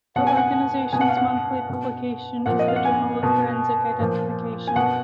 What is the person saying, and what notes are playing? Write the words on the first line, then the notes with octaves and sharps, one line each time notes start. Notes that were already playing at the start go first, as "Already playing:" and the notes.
The organization's monthly publication is the Journal of Forensic Identification.
B2 F#5
G#5
F#5
B2 G#5
F#5
F5
F#5
B2
A#2 F3 F#5
D#5
F5
F#5
G#5
B2
A#2 F3
G#5
B2 F#5